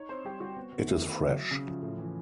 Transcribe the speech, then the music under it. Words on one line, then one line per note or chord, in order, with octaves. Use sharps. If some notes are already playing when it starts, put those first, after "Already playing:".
It is fresh.
Already playing: D#4 C#5
C4 C5
G3 G4
G3 F#4
B3
B3
A3 E4
D#3
F#3
F#3
C#3
F3
A2
E3